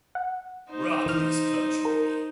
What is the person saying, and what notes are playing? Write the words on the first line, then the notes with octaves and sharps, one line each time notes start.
Rock This Country!
F#5
D#4 C5
E3 F6
A#4